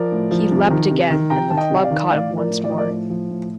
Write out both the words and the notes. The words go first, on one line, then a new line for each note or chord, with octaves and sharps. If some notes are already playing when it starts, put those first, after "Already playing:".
He leapt again, and the club caught him once more.
Already playing: F3 A#4 D5
A2
F3
C3
D#3
C3
D#3
C3 G5 A#5
D#3 A5
D#5 G5
C3
D5 F5
D#3
A2 D5 F5
F3
A#4 D5
A2
D5
F3 D#5
A#4 D5
A2
F3
A2